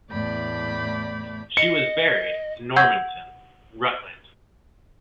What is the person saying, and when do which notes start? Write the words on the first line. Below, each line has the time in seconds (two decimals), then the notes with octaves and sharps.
She was buried in Normanton, Rutland.
0.11 E2 A2 A3 D5 B5 G6
1.57 D#5 C#7
2.76 F#5 E6 G6 G#6